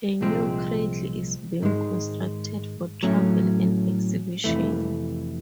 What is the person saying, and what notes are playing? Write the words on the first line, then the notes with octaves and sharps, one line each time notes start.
A new cradle is being constructed for travel and exhibition.
C2 A#2 F3 G#3 C4
G#2 D#3 G#3
A2 F#3 A3 C#4
F2 C3 E3 A3